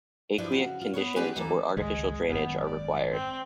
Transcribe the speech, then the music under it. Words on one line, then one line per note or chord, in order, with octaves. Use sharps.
Aquic conditions or artificial drainage are required.
F3 D4 E4 B4
C#3 F#4
F4
B3 B4 C#5
B3 C4 D4 G4 B4 G#5
D#2 E3 A#3 A4
G#1 C#2 G3 G#3
G#1 F#2 B3
D5
C4